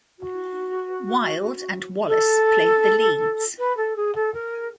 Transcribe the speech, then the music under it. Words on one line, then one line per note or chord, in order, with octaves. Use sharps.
Wilde and Wallace played the leads.
F#4
A4
B4
A4
G#4
A4
A#4